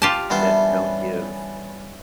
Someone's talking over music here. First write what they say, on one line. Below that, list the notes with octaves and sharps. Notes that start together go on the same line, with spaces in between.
that don't give
F4 G4 A5
E3 G3 B3 D4 C5 G#5
C#4